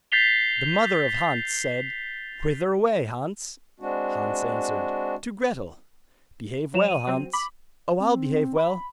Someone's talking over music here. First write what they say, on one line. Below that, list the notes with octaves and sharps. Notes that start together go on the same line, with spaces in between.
The mother of Hans said: 'Whither away, Hans?' Hans answered: 'To Gretel.' 'Behave well, Hans.' 'Oh, I'll behave well.
G6 A6 B6 C7 F7 G7
G#3 C4 D4 F#4
F#3 C#5 E7 F7
D#7
F#3 C4
B5 D6
C4
B5